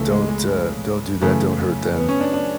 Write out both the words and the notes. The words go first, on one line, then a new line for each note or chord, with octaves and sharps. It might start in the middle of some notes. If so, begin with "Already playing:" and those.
don't, uh don't do that, don't hurt them."
Already playing: C#2 C#3 E3 A3
G#3
G#3
F#2 C#3 E3 A3
B3
C#4
D4
D4